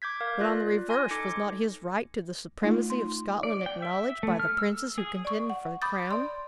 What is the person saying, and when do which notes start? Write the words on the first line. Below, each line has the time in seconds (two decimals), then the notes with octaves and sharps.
But on the reverse, was not his right to the supremacy of Scotland acknowledged by the princes who contended for the crown?
0.02 D6 G6 G#6 B6
0.20 A#4 F5
0.40 F4 D5 F#6 A#6
0.89 G#5 C6 A#6
1.11 D#4 A4 D6 G#6 A#6 C#7
2.62 A3 D#4 F4
2.90 C6
3.43 D5
3.66 G5
3.82 E5
4.23 A3
4.40 F6
4.58 E6
4.98 G#4
5.25 D5 C#6
5.50 F#5
5.82 B5 D6 D#6 G6 A6
6.11 D5 C6